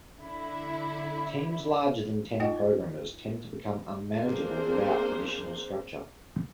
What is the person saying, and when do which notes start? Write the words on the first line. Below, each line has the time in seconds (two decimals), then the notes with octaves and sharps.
Teams larger than ten programmers tend to become unmanageable without additional structure.
0.20 D3 E4
2.40 F#2 A#3 D#4 F4 D#5 F#5
4.18 A#3 C4 D4 G#4 C5